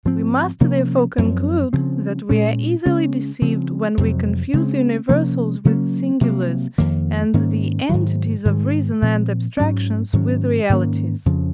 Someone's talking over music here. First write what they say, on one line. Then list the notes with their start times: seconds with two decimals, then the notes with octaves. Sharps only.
We must therefore conclude, that we are easily deceived, when we confuse universals with singulars, and the entities of reason and abstractions with realities.
0.05 G#2 F3 C4
0.61 C3 F3 A#3 C#4
1.18 F#2 F3 C4
1.73 C#3 F3 C4
2.29 A#2 G#3 C#4
2.85 C#3 G#3 C#4
3.42 C#3 F3 C4
3.97 F2 C3 F#3 C4
4.53 C#3 G#3 C4
5.09 C3 F3 A#3 C#4
5.65 C#3 F#3 A#3 C#4
6.21 C3 F#3 A#3
6.78 F2 D#3 A#3
7.34 G#2 D#3 A#3 C#4
7.89 G#2 D#3 F#3
8.45 G#2 D#3 G#3
9.02 A#2 F3 C4
9.57 G#2 F#3 C#4
10.13 G#2 D#3 F#3 C#4
10.69 G#2 D#3 A#3 C#4
11.26 F2 C#3 F3